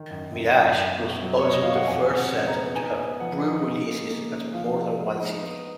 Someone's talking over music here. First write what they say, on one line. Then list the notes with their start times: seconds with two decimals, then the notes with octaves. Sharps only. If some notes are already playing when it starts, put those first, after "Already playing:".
"Mirage" was also the first set to have pre-releases at more than one city.
Already playing: D#3
0.11 F#2
0.33 F#2
0.55 F#2
0.77 F#2
0.98 B2
1.22 F#3
1.39 C#5
1.44 B2
1.51 D#5
1.63 B2 F5
1.75 F#5
1.88 F2 G#5
2.09 F2
2.17 F#5
2.32 C#3
2.47 A#5
2.55 B3
2.76 D#4 G#5
2.98 B3
3.20 F3 F#5
3.42 D#4
3.65 C#3
3.87 A#3
4.09 A#3
4.32 C#4
4.53 F3 F5
4.76 G#3
4.98 G#3
5.20 D#4
5.42 B3